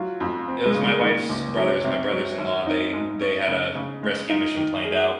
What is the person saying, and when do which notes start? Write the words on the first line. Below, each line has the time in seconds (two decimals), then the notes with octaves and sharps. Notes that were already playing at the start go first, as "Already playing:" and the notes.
it was my wife's brothers my brothers-in-law, they they had, uh, rescue mission planned out
Already playing: F#3 F4
0.20 F2
0.48 C4
0.66 G#3
0.75 C#3
0.83 G#3
1.02 D#3 A#3
1.29 C#2
1.56 F#3 C#4
1.84 C3
2.11 F#3
2.38 G#1
2.66 C4 D#4
2.93 G#2
3.21 C#4
3.48 C#3
3.75 C#3
4.03 G#3
4.29 D#4 F4
4.57 D#3
4.85 G#4